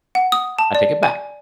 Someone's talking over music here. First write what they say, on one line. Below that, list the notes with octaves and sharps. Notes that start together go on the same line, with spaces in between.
I take it back."
F#5
D#6
A5
D5
G#5